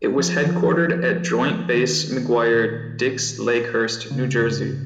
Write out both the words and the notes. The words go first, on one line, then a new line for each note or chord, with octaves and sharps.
It was headquartered at Joint Base McGuire-Dix-Lakehurst, New Jersey.
F3
F3
D#3
A#2
C#3
G#2